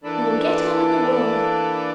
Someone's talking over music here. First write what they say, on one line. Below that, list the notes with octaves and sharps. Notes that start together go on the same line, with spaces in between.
You will get on in the world!
E3 A#3 D4 A4 B4 D5